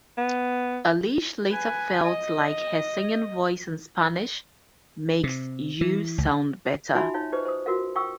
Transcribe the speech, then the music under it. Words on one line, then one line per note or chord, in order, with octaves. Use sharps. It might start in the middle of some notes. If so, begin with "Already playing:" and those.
Eilish later felt like her singing voice in Spanish "makes you sound better".
B3
B4 G#5
D#5
C3
E3
C#2
D#4 F4 F#4 E5 G#5 B5
D#4 C#5 F5
G4 B4 C5 D#5
C5 D#6
F4 F#4 A#4 F5
F5 G5 C#6 D#6 E6